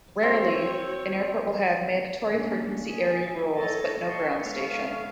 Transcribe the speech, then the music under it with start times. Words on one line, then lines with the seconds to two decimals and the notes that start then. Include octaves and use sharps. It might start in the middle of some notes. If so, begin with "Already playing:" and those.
Rarely, an airport will have Mandatory Frequency Area rules, but no ground station.
0.23 C4 F#4 C#5
2.32 A#2 C#3 G#3 A#3 C#4 D4
2.84 G#4 E5 G#5
3.55 E4 A4 C#5 D#5 A6
4.05 D#5 G5 A5 C6 C#6
4.40 G#3 B3 A4 C#5 F5